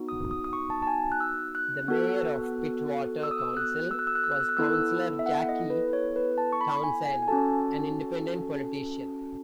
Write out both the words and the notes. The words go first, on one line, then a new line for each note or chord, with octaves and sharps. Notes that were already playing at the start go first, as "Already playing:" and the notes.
The Mayor of Pittwater Council was Councillor Jacqui Townsend, an independent politician.
Already playing: B3 D#4 F#4
D#6
D#6
D#6
C#6
A5
A5
G#5
F#6
E6
F#6
B3 F#4 A4
E6
D#6
E6
F#6
E6
F#6
E6
F#6
E6
F#6
E6
F#6
B3 E4 A4 E6
F#6
E6
E5
F#5
D#5
B4
C#5
B4
A5
C#6
B5
G#5
G#5
G#5
C#4 F#4 A4 A5